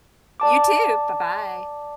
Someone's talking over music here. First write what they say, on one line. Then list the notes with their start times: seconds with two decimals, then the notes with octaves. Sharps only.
You too. Bye bye.
0.40 D5 A5 D6